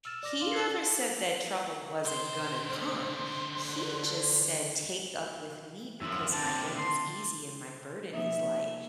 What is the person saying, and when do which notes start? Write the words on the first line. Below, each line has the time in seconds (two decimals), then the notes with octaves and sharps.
he never said that trouble wasn't gonna come, he just said take up with me because my yoke is easy and my burden is light.
0.05 E6 F6 A6 E7
0.23 D5 D6 A#6 E7
0.40 D#4 F5 C6 D6 G7
0.51 E6 F#6 G#6 A6 C7 C#7
0.65 A4
2.05 D3 C5
6.01 F#2 F3 E5
6.33 D3 C4 A5
6.77 C6
8.13 F3 A#3 D#4 E5